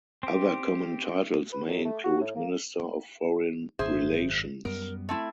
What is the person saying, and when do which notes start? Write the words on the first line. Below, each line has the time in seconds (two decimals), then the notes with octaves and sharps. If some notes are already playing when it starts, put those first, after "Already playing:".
Other common titles may include "Minister of Foreign Relations".
0.23 C4 G4
1.53 B4
1.68 F#2
1.85 A3
2.04 F#4
2.21 A2
2.36 A#3
3.79 G#1 F#2 G#4 C5 E5
4.65 F#2 G3 B3 A#4
5.09 A3 C4 E4